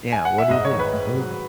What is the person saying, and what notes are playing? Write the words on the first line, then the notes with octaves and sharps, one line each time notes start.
yeah, what do you do? What do you do?
G#5
F#5
E5
G#2 D#5
C#5
D#3
B4
G#2
F#3